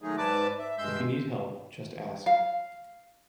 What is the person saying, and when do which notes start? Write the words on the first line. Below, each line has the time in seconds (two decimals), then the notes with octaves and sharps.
If you need help, just ask.
0.02 D#3 F#3 G#3 A3 D#4 G#4
0.18 G#2 B4 D5 A5 D6
0.59 E5
0.78 G2 G#3 C6 E6 G6
2.26 F5